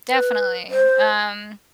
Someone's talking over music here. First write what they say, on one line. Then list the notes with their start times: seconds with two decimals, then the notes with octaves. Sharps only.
Definitely, um,
0.09 B4
0.70 C5